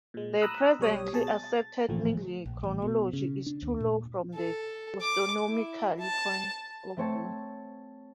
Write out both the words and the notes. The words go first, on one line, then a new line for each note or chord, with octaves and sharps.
The presently accepted middle chronology is too low from the astronomical point of view.
A#2 G#3
A#5 B5 D#6 E6 F#6
B1 G3 C#5 D#6
B2 G#4 A5
A6
A1 D2 A#2 F3 A3
A#1
A1
B2
C#3
D4
D#2
A#2
A4
D6
E4
A5
A3 C4 C#5 A5